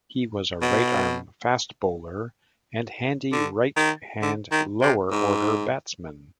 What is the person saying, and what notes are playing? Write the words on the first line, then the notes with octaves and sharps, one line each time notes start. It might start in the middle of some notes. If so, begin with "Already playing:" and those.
He was a right-arm fast bowler and handy right-hand lower order batsman.
B2
D3
D#3
D3
D#3
C3
G#2